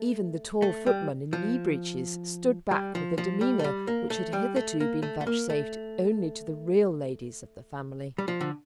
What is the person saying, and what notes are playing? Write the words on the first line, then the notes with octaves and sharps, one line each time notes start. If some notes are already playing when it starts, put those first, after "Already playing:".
Even the tall footman in knee-breeches stood back with a demeanour which had hitherto been vouchsafed only to the real ladies of the family.
Already playing: A3
A3
G3
F3
G3
F3
F3
G3
A3
G3
A#3
A3
G3
A3
A#3
A3
A3
A#3
A3
G3
F3
D3